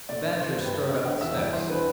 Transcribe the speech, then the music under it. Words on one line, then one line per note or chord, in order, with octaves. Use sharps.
The Badger strode up the steps.
A3 D5
D4 D5
D3 C5
A4
G2 B4
G4
A3 A4
D4 E5
D3 F#5
E2 E5
G3 D5
E2 C5
D3 B4